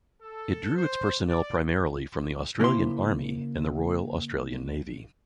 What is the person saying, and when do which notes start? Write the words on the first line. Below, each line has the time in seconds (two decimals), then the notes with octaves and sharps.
It drew its personnel primarily from the Australian Army and Royal Australian Navy.
0.22 A4
0.75 C5
1.28 D5
2.60 C#3 A#3 E4 C5 C6